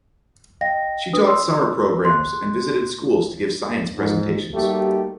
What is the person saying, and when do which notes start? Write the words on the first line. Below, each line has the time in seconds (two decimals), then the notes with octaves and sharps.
She taught summer programs and visited schools to give science presentations.
0.61 D#5 F5 G5 A#6
1.13 D4 B4 D#6
1.27 C6 E6
2.05 C6 F#6
3.97 G#2
4.54 G3 A3 A#3 D#4 F#4 G4